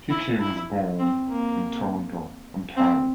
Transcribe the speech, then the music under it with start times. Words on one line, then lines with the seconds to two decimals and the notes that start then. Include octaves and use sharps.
Hickey was born in Toronto, Ontario.
0.10 E4
0.40 E4
0.99 C4
1.29 A#3
2.77 C4